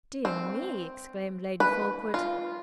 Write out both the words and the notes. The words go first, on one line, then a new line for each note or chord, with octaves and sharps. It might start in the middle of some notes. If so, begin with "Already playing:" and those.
"Dear me!" exclaimed Lady Fulkeward.
C4
B4
F4